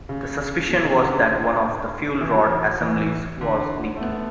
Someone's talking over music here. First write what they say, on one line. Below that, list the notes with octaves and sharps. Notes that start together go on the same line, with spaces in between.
The suspicion was that one of the fuel rod assemblies was leaking.
C#3
B2
C#3
D3
E3
E3
F#3
E3
D3
A3
B3